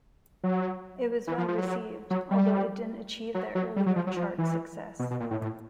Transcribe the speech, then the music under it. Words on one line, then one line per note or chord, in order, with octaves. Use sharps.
It was well received, although it didn't achieve their earlier chart success.
F#3
E3
F3
F3
F#3
F#3
G3
F#3
F#3
G3
F#3
F3
F#3
F3
E3
B2
B2
A#2
A2
A2